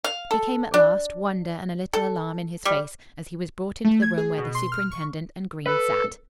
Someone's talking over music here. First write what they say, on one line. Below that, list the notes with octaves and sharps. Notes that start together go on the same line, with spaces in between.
He came at last, wonder and a little alarm in his face as he was brought into the room where the superintendent and Green sat.
F5
A4
D4
A4
G3
A3
G#6
G#4
B2
C6
F6
C#6
A4 B4